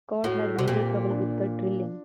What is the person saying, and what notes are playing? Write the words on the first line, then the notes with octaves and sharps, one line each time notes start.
Scott had major trouble with the drilling.
A2 F#4
C3 F#4
A#2 G4
D4